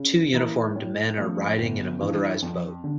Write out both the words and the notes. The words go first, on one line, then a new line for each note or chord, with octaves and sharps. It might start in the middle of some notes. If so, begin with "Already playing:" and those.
Two uniformed men are riding in a motorized boat.
Already playing: C#3
E3 A#3 E4
A2
F3 A3 C#4
G1
G2 E3
F2
D3